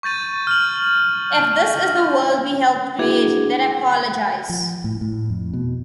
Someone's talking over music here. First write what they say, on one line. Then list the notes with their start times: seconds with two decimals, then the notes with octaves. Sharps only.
If this is the world we helped create, then I apologise.
0.03 C#6 G6 A6 D#7
0.47 F6 F#7
2.99 A#3 D4 E4 F#4 G#4
4.49 F3
4.84 A2
5.01 A2
5.30 F2
5.54 B2